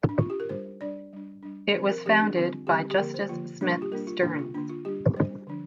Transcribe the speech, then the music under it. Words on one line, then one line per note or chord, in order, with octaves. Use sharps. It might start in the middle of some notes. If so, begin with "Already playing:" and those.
It was founded by Justus Smith Stearns.
D4
F4
G4
A#4
G3 D4 C5
G3 D4 D5
G3 D4
G3 D4
F3 C5
C4
A#4
F3 C4 G4
D4
D3 G3 C4 F4
D3 G3 C4 G4
G4
D3 F3 A#3 A#4
C5
D3 F3 A#3 F4
G3 A#3 D4
F4
G4
G3 A#3 D4 A#4
F4
D3 A#3 D4
F4
D3 A#3 D4
F4
G3 D4 G4
G3 D4 C5
D3 F3 D4